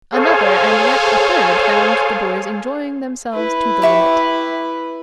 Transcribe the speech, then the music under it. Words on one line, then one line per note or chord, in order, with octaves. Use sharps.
Another, and yet a third found the boys enjoying themselves to the limit.
G#4 A4 C5 C#5 F5 G#5
E4 B4
G4 E5 C#6